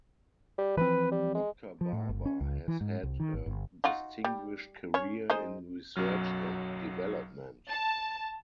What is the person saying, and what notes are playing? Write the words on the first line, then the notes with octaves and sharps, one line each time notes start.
Doctor Barber has had a distinguished career in research and development.
G3
E3 F3 C4 B4
G3
G#3
F3
A2
G1
C#4
C#2
E3
G#2
C2
D#3
G#1
G1
D#4 F4 F#4
G3
C#4 C#5
G#3 D#4 C5
B1 F#2 F#3 F6
A5